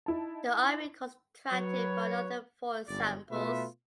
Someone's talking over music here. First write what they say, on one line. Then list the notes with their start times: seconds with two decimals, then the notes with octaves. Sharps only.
The Army contracted for another four examples.
0.06 D#4 E4 A5
1.51 F#3 B4 C#5
2.88 G1 F#2 D5
3.31 B2 A3 F4 B4 E5